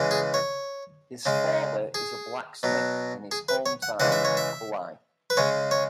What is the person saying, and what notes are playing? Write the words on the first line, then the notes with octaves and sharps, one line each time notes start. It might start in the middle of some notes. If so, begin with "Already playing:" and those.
His father is a blacksmith in his hometown of Kulai.
Already playing: C#3 E3 G#3
G#4
C#5
C#3 G#3
G#4
B2 F#3
G#4
B4
C#5
F#5
C#3 E3 G#3 F#5
E5
C#5
E5
B4
C#3 G#3 C#5
C#5